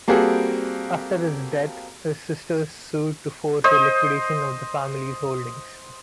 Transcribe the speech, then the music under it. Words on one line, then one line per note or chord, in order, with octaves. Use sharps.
After his death, his sisters sued to force a liquidation of the family's holdings.
G3 A#3 C4 F#4 G#4 A4
C5 D#5